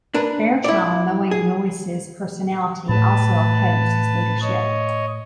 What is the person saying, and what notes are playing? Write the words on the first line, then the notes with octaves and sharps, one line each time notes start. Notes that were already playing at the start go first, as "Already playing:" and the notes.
Fairchild, knowing Noyce's personality, also opposed his leadership.
D4 A#4 B4
E4 D5
G#4
A2 A3 B4 A5
C#5 D#5